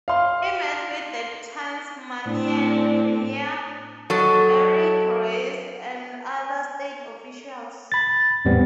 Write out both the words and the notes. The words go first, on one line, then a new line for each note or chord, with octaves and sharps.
He met with then Tasmanian Premier Eric Reece and other state officials.
F5 C6
A2 C4 D4
F#3 A4 D#5 A5
B5 A6
E2 A2 G3 B3 C4